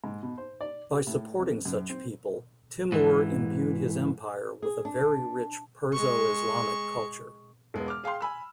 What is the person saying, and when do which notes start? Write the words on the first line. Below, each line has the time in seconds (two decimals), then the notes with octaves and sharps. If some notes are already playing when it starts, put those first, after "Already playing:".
By supporting such people, Timur imbued his empire with a very rich Perso-Islamic culture.
0.04 G#2
0.23 B2
0.38 C5
0.61 D5
0.91 G4
1.07 A2
1.39 F2
1.65 F#2
1.90 C4
2.92 G#2 E3
4.63 G#4
4.85 D4
5.93 G#3 C#6
7.74 E1 G#3 B3
7.88 D6 F6
8.04 G#4 F5 G5 C6
8.21 G#5 B5 E6